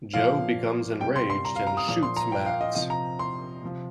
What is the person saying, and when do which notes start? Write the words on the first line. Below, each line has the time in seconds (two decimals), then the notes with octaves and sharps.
Joe becomes enraged and shoots Max.
0.14 A#2 F3 F5
1.00 C3 G3 G5
1.16 C6
1.30 C6
1.45 A#5
1.56 F5
1.67 A#5
1.77 D#6
1.88 A#2 F3 D#6
2.03 C6
2.17 A#5
2.32 G5
2.46 F5
2.61 D#5
2.75 C3 F3 D#5
2.90 A#5
3.19 C6
3.63 C3 F3